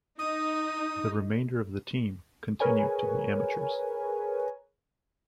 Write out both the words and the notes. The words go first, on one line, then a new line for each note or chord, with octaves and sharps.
The remainder of the team continued to be amateurs.
D#4 D#6
G#4 A#4 B4 C#5 G#5